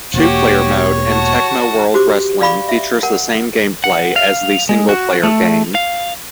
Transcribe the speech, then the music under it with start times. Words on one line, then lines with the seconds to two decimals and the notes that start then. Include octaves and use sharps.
Two-player mode in "Tecmo World Wrestling" features the same gameplay as the single-player game.
0.14 E1 A#3 F#4 G4 C#5
1.06 F#4 A5
1.94 F#4 G4 C5 D6
2.41 D5 F5 B5 C#6 D6
2.69 E5
3.03 A#4 F#5
3.84 F#5
4.16 F5
4.69 G#3
4.89 F#4
5.23 A3
5.75 F5